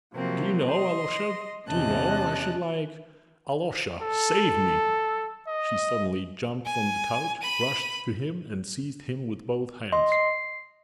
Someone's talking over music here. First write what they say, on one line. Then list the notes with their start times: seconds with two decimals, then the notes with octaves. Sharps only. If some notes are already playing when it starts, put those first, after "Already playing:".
"Do you know, Alyosha, do you know, I should like--Alyosha, save me!" She suddenly jumped from the couch, rushed to him and seized him with both hands.
0.14 C3 F3 F#3 A#3 C4
0.71 D#5 C6
1.68 E2 C3 C#4 D#5 A5 F#6
4.02 A4
5.47 D#5
6.65 G#5
7.41 B5 D#7
9.92 D#5 C6
10.12 C7